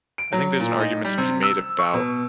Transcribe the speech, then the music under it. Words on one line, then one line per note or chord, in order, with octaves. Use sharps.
I think there's an argument to be made about,
D7
F#3
A#2
D#4
G3
C3
E6
C#6
B2